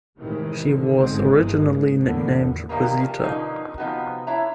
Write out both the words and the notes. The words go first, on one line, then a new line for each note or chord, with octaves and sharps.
She was originally nicknamed "Rosita".
A2 C3 D#3 E3 G#3
D3 D#3
G1 G#2 D3 G#3 C4
G2 E3 G#3 A#3
G#2
E2 A2 D3 A#3 B3
C3 D#3 G3 A#3 B3
F3 G3
B2 D3 F3 A#3 D#4 F4
C3 F3 B3 D#4 F#4
D4 E4 C#5 E5 A#5